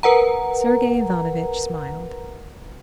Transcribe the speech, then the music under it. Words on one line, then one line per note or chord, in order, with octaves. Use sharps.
Sergey Ivanovitch smiled.
A#4 B4 F#5 A#5